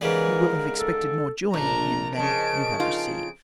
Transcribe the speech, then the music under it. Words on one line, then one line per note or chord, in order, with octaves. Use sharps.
You will have expected more joy in him than you have received.
G#2 C#3 E3 G3 A#4
A4
A#1 A3 D4 A#4 A#5
F2 C#3 A#4 D#5 A5 D7
D#4 F4